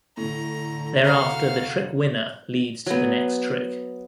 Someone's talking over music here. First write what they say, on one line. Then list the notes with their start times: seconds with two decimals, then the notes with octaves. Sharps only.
Thereafter the trick winner leads to the next trick.
0.17 A2 D3 A#5
1.04 F1 F#4 F5 A#5
2.86 F#3 B3